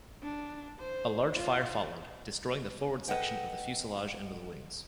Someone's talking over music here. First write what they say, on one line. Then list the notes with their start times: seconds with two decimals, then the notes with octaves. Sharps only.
A large fire followed, destroying the forward section of the fuselage and the wings.
0.22 D4
0.79 C5
1.36 F4
3.08 A4 B4 D#5 F#5 G5